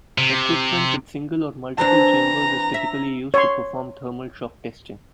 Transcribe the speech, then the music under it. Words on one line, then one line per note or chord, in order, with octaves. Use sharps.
Equipment with single or multiple chambers is typically used to perform thermal shock testing.
C3
E3 C4 D4 A#5
E5
C#5 C6